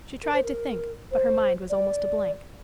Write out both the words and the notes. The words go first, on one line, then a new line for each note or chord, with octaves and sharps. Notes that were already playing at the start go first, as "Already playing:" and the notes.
She tried to think, but her mind was almost a blank.
A#4
C5
A#4
C5
D5